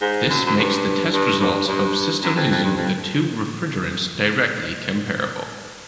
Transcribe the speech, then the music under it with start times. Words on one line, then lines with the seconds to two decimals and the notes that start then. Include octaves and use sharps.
This makes the test results of systems using the two refrigerants directly comparable.
0.01 G#2
0.30 F#2
0.46 F#2
0.57 G2
1.13 G2
1.40 G2
1.67 G2
2.22 F#2
2.36 F2
2.50 F2
2.63 G2
2.77 F2